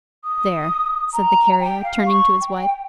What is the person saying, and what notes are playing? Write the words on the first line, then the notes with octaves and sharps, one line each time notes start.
"There!" said the Carrier, turning to his wife.
D#6
A#5
G5
F5
C#6
G5